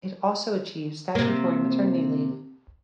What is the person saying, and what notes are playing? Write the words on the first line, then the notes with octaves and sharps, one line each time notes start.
It also achieved statutory maternity leave.
C3 A#3